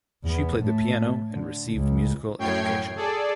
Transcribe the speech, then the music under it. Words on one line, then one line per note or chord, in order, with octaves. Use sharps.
She played the piano and received musical education.
E2 B3
A2 A3
D3
C#2
F#2 A2 C#5 G5 G#6 C7
G#4 A4 D5